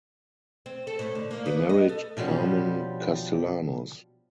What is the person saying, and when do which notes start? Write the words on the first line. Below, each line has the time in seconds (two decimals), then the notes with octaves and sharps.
He married Carmen Castellanos.
0.66 C4
0.87 A4
0.99 A2
1.15 D3
1.31 A#3
1.46 B3
1.69 D#5
1.89 A4
2.17 B2 F3 G3 C#4 D4